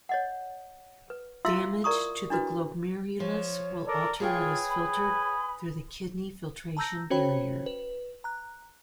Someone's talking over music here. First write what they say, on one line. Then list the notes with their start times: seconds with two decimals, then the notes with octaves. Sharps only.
Damage to the glomerulus will alter what is filtered through the kidney filtration barrier.
0.09 C#5 D#5 F#5
1.10 B4
1.45 E4 F4 E5 F5 C6 E6
1.84 A#4 D5 A#5 C#6 D#6
2.30 D4 E4 F#4 B4
3.20 F3 C#5
3.86 A4 A#4 D5
4.20 F4 G#4 B4 C#5 G5 G#5 D#6
4.69 B5
6.77 A5 A#5 E6 G6 A#6
7.10 C#4 F#4 C5 C#5 G5 B5
7.66 B4
8.24 A#5 F#6